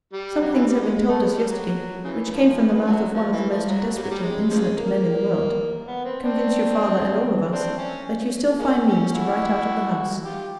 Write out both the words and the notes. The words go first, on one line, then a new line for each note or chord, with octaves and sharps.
Some things have been told us yesterday, which came from the mouth of one of the most desperate and insolent men in the world, convince your father, and all of us, that you still find means to write out of the house.
G3
F#3
E3
G3
G#3
G#3
A3
G#3
G3
F#3
C#3 E3
F3
E3
F3
E3
D3 F#3
F3
E3
F3
F#3
G3
F#3
G3
G#3
C#3 F3 G#3
A#3
B3
C4
C4 D4
C4 D4
C#4
G#3 A#3 C#4
C#4
E4 F#4
F4 G4